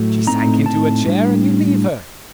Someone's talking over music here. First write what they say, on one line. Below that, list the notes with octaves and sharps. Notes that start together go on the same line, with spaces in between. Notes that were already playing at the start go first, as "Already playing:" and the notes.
She sank into a chair and you leave her.
Already playing: A2 F#3 A3
A2 A3 C4 D#4 A#5
A5
A2 G3 D4